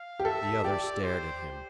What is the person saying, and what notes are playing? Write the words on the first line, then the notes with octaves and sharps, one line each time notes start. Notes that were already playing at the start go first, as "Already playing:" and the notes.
The other stared at him.
Already playing: F5
G4
A4 E5
G4 D5
C5